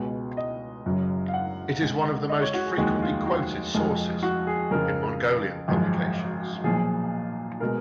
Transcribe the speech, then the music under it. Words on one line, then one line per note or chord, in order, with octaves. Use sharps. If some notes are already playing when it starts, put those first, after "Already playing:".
It is one of the most frequently quoted sources in Mongolian publications.
Already playing: C#2 B2 G#3
D#5
F#1 F#2 C#3 F#3
F5
F#5
C#2 C#3 G#3
D#5
C#5
F#4
G#4
F1 D#2 D#3 G#3 F#4
F4
F#4
F2 F3 G#3
F#4
G#4
F2 C#3 F3 A#4
G#1 F#2 F3 G#3
B1 A#2 F3 G#4
B2 G#3 A#4